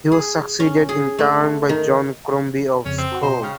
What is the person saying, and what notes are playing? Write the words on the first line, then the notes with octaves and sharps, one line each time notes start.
He was succeeded in turn by John Crombie of Scone.
G#4
C#4
G#4
A3
D#3
F2 C#3 C#4
C4
F#4 F#5
B2 C5 D#5 A#5
C#3 G5 C#6 F6